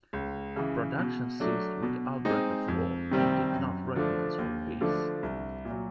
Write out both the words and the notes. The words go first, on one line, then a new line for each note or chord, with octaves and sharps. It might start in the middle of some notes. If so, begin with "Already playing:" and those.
Production ceased with the outbreak of war and did not recommence with peace.
C#2
C#3 E3
B2
F#3 A3 D4
B2
G#3 C4 D#4
F2
C3 D#3 G3 C4
F#2
D3 F3 A3 D4
D#2
D3 F3 A3 D4
C2
A#2
F#3